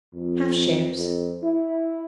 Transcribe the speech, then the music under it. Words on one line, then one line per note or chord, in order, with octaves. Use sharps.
"Half shares."
F2
F2
E4